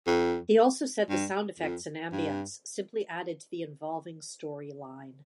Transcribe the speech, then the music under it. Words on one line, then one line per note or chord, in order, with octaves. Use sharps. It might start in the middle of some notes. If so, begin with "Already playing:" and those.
He also said the sound effects and ambience simply added to the involving storyline.
F2
G2
F2
G2